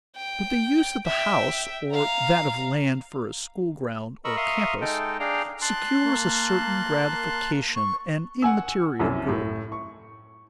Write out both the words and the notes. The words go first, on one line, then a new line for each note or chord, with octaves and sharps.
But the use of the house, or that of land for a school ground or campus, secures a certain gratification, an immaterial good.
G5
E5 G5
F5 A#5
A#4 D#5 B5 C#6 E6
E5 F5 A#5 C6 C#6 D#6
G#3 D#4 A4 G5
D4 G#4 F5 G5 A#5
A5 C6 F#6
A#3
C#6
F#5 G#5 E6
C2 F#2 E4
A2
C#6